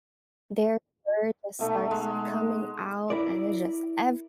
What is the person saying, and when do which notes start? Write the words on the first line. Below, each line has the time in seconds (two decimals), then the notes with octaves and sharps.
their fur just starts coming out and it's just everywhere
1.59 B2 A3 D#4 A4
1.91 G#3
3.10 E4 A#4 D5